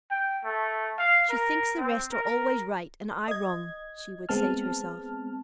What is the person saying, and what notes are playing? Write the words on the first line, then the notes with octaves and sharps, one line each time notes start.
"She thinks the rest are always right, and I wrong," she would say to herself.
G5
A3
F5
A#4
C4
A#4
D#5 G#6
G#3 B3 C4 A5 F6